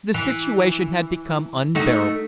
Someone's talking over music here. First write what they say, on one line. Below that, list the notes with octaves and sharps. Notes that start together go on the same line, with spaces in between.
The situation had become unbearable.
E3
A3 D#4 F#4